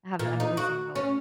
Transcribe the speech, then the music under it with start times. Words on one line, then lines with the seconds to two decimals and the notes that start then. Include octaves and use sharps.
have a I'm losing hope.
0.19 A#2
0.40 D#4
0.57 F#4
0.95 C#4